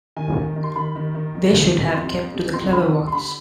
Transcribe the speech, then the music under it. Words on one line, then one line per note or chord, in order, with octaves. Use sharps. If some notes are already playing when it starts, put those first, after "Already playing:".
They should have kept to the clever ones.
D#3 G#5
D#3
D#3
C6
D#3 B5
D#3
D#3
F2
D#3
C3
F2 C6
F2
C3
F2 C6
D3 B5
D3
C6
D3 B5